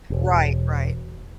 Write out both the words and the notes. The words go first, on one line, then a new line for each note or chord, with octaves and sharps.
Right, right.
E1